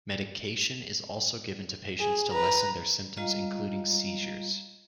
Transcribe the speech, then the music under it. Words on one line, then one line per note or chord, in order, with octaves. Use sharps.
Medication is also given to patients to lessen their symptoms including seizures.
G#4
B4 A#5
G3 G#3 F4 D#5 F5 A#5